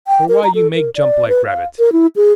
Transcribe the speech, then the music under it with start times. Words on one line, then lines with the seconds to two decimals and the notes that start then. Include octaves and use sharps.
For why you make jumps like rabbits!
0.08 G5
0.29 A#4
0.44 A#5
0.55 A4
0.75 A#4
0.96 D5
1.28 B4
1.47 F5
1.79 A#4
1.92 E4
2.16 G#4